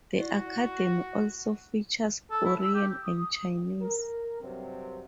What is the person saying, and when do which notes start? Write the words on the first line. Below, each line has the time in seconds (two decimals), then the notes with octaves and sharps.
The Academy also features Korean and Chinese.
0.19 E4 F#4 D5
2.31 A4
2.45 E4
2.62 E6
2.74 G4
3.03 D#6
3.82 A#4
4.41 G2 C3 F#3 C4